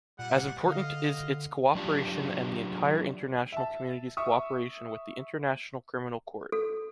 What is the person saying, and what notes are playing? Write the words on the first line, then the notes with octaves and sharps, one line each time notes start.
As important is its cooperation and the entire international community’s cooperation with the International Criminal Court.
A#2 G3 F#5
D3 D#5 F5
F#3 D4 F4 G4
E5 A5
E5 C#6 D#6
A4